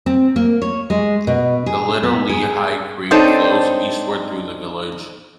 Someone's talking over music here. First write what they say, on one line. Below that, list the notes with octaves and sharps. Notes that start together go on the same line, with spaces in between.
The Little Lehigh Creek flows eastward through the village.
C4
A#3
C#5
G#3
B2
G#4
B3
G#4
C4 D4 D#4 A4 C5 C#5